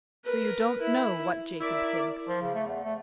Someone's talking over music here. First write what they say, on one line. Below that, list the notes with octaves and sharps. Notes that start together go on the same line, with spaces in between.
"So you don't know what Jacob thinks?"
A#4 B4
E4
E4 A#4 D5 E5
F3
C#3
A3
E2
A3